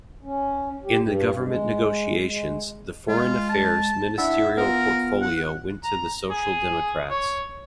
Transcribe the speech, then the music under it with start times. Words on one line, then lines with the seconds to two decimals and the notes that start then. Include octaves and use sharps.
In the government negotiations the Foreign Affairs ministerial portfolio went to the Social Democrats.
0.23 C#4
0.84 G4
0.98 G2
1.42 G#3
2.25 G#3
3.08 G#3 F4
3.49 A5
4.18 D4 E4 E5 F#5
4.57 B3 F4 A#4
5.22 F#5
5.84 A#5
6.30 G#4
7.09 C#5